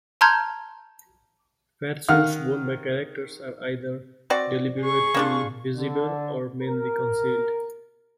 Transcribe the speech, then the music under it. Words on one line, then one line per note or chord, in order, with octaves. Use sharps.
Fatsuits worn by characters are either deliberately visible or mainly concealed.
A5 A#5 C6 F6 G6 G#6
D#3 F5 F#5 F6
C4 F#4 D5
G#4 C#6
A#3 D4 F4
D3
A#4